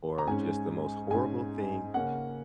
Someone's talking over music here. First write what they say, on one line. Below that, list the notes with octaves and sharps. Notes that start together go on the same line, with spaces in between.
or just the most horrible thing
A#5
G#2 G#3 C#4 G#5
G#2 G#3 C#4 G#5
C#3 A#3 C#4 F#5